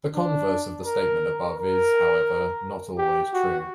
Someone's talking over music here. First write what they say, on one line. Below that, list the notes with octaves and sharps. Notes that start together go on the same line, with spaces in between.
The converse of the statement above is, however, not always true.
D4
A#4
A#4
G4
F#4